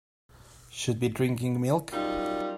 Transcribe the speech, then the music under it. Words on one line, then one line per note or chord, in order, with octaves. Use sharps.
Should be drinking milk.
F#2 G3 D#4 F4